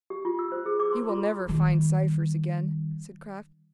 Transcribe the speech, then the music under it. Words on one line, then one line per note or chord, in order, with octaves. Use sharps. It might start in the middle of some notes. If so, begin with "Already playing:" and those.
"He will never find Cypher's again," said Kraft.
G4
F4
E6
C5
G#4
D6
C6
F4
D#3 G3